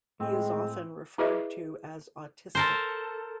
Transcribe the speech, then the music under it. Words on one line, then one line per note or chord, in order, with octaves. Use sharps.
He is often referred to as autistic.
A2 G#3 C4
E4 G#4 B4 D#5 E5 D6
A4 A#4 C5